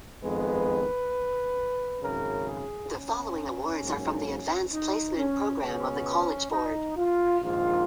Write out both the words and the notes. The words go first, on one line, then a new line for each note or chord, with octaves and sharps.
The following awards are from the Advanced Placement Program of the College Board.
F2 D#3 G#3 B3 B4
G#1 F#2 C#3 A#4
G#4
C#4
G#2 F#3 A#3
D#4
C#4
C#2 B2 G#3 B3 C#4
D#4
F4
A#1 G#2 D#3 F4